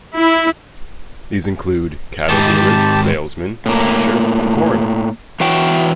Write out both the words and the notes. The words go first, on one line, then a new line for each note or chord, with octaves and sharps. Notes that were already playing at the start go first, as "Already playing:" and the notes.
These include: cattle-dealer, salesman, teacher, and coroner.
E4
G#2 D#3 G4 A5
A2 A#3
E3 F#4 C#5 G5